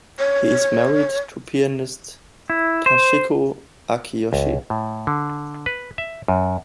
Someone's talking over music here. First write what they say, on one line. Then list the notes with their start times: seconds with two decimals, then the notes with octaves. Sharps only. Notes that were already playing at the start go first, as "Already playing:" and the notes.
He is married to pianist Toshiko Akiyoshi.
0.19 C#5
2.50 E4
2.86 C5
4.33 C#2
4.70 A2
5.07 D3
5.66 B4
5.98 E5
6.28 F#2